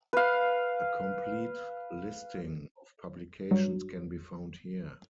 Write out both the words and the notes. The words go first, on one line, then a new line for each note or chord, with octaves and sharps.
A complete listing of publications can be found here.
B4 F5
G2 F#3